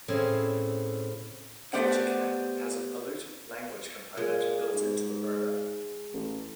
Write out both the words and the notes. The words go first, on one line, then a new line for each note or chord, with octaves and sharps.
Culture Camp has an Aleut language component built into the program.
A2 C#3 C4 E4
A3 B3 G4 C5 D5 F#5
A#2 G#3
G#2
A1